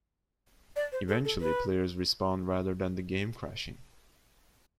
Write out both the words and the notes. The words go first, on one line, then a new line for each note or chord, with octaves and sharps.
Eventually players respawn rather than the game crashing.
D5
C5
A4
A4
B4